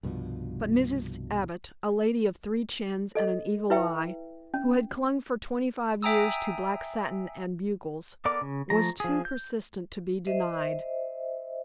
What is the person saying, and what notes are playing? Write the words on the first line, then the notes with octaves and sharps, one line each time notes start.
But Mrs. Abbott, a lady of three chins and an eagle eye, who had clung for twenty-five years to black satin and bugles, was too persistent to be denied.
C2 G2 B2 F3
A4 D#5
E4 B4 E5 G5
C#4
E5 G5 G#5 A#5 D#6 E6
B3 A4 A#4 D5 D6
C#3
F3 A3 A#5
F3 G#4
G6
C5 D#5 E5